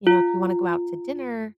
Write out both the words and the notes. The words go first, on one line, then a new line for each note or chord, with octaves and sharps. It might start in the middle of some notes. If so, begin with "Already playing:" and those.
"You know, if you wanna go out to dinner"
F4